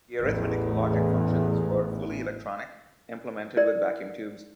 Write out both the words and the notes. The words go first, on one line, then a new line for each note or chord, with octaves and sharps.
The arithmetic logic functions were fully electronic, implemented with vacuum tubes.
A1 E2
E4 A#4 D5